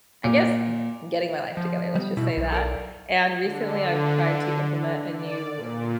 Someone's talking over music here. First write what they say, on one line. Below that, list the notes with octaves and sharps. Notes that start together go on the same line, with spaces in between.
I guess, g getting my life together. Let's just say that, and recently, I've tried to implement a new
A#2
F3
G3 B3
B2 E4
B1
A4 A#4 D5
D3
D5
A#2